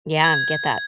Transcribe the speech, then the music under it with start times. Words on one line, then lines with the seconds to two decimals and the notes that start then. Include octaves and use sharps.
Yeah, get that.
0.24 G#6